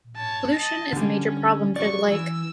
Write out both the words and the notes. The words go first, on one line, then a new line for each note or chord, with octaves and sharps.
Pollution is a major problem for the lake.
C#5 A5
D#5 A5
D3 G3 C#4
F#3 D5 C#6
E3 E6